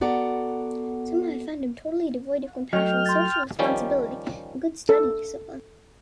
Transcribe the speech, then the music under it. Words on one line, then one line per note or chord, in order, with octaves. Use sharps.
Somehow I found him totally devoid of compassion, social responsibility, and good study discipline.
B3 F#4 A4 D5 F#5 A#5
F#3 A3 D#5 G5 F6
C6 A6
D#3 F3 G3 C#4 G4
A4